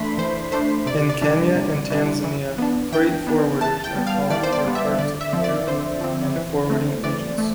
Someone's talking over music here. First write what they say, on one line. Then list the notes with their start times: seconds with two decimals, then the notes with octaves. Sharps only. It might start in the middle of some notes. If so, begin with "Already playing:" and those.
In Kenya and Tanzania freight forwarders are commonly referred to clearing and forwarding agents.
Already playing: E3 A3 D4 B5 C6
0.18 E3 C5
0.52 A3 D4 C5
0.86 C3 D5
1.09 D5
1.21 E3 G3 D4
1.55 C3
1.90 E3 G3 D4
2.24 E3
2.58 B3 D4
2.92 E3 G5
3.27 B3 D4
3.61 E3 A5
3.84 G5
3.95 G3 B3
4.07 F5
4.30 E3 D5
4.43 C5
4.53 D5
4.65 G3 B3
4.75 E5
4.98 D3 D5
5.21 E5
5.33 F3 C4
5.44 D5
5.67 D3 C5
6.01 F3 C4
6.36 E3
6.70 A3 C4
7.04 E3 D5
7.38 A3